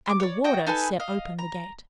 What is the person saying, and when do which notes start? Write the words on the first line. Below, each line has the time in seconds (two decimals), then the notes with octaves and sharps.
And the Warder set open the gate.
0.06 C6 D6
0.20 C#5 D5
0.44 F#4 D#5 G5
0.66 D#4 A4 B4 G#5
1.00 D#5 F5
1.39 A#5